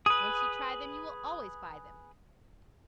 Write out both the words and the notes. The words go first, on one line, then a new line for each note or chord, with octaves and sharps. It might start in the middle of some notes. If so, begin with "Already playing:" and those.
Once you try them, you will always buy them.
G#4 B4 D#6